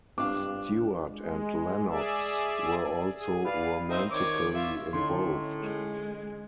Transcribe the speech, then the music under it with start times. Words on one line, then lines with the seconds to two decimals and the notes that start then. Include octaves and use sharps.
Stewart and Lennox were also romantically involved.
0.18 G2 C4 D4 F4 F5 D6
1.08 G#3
1.88 G#4 D5 E5
3.19 G#4
3.45 B4 D5 F5
3.89 C4 D#4 E5
4.11 D#3 C#5 D6
4.55 F4 E5
4.93 A2 D3 C#4 D#4 C6
5.60 G#3